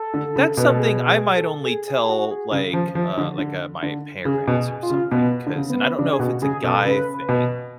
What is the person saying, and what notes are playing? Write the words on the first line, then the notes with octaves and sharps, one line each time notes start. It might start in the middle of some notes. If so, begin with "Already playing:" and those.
That's something I might only tell, like, uh, like, uh, my parents or something 'cause and I don't know if it's a guy thing,
Already playing: A4
D3
C#3
B2 B4
A4
G#4
G#4
A4
G#4
G#4
G#4
F#4
G#4
C#3
F3
F3
D3
D3
D3
C#3 G#4
B2
G#4
F4
C#3
B2 B3
D3
C#3
B3
C#3 D4
G#4
B2 F#4
C#3 G#4
B2 A4
C#3 B4
B4
B2